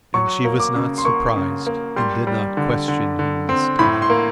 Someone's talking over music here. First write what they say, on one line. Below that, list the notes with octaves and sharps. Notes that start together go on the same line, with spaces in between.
And she was not surprised and did not question him this time.
F#3 C#6
A#3
D6
C#3
C6
A#3 C#6
C#3
A#3
G3 C6
G3
D3
D3
D3
C4
A2 B5
C6
A#3